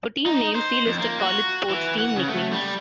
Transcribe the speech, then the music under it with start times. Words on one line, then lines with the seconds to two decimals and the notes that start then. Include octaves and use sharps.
For team names, see List of college sports team nicknames.
0.26 D#4
0.55 C5
0.86 F2
0.99 A#3
1.20 F#4
1.70 E3
1.99 F#5
2.16 C#3
2.29 A3
2.53 G3